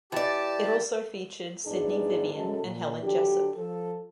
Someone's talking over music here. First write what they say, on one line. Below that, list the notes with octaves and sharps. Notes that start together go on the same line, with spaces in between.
It also featured Sidney Vivian and Helen Jessop.
E3 G4 D5 A5
E2 G#2 D4 G#4
F#2 C#3 G#3 A4
A#2
D3 F#3 D4 G4
F3 A4